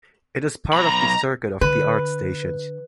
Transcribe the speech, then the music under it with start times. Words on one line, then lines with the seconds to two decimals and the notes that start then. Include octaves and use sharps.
It is part of the circuit of the art stations.
0.73 B1 A#5 B5
1.61 D3 B4